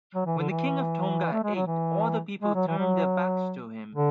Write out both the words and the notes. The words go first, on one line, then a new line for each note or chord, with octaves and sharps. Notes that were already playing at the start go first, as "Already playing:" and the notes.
When the king of Tonga ate, all the people turned their backs to him.
F#3
E3
D3
E3
A3
G#3
F#3
E3
G#3
F#3
E3
F#3
D3